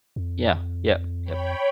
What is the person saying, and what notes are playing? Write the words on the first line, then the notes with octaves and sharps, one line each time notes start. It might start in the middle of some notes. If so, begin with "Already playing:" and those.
Yeah, yep, yep,
F2
C#5 G5 B5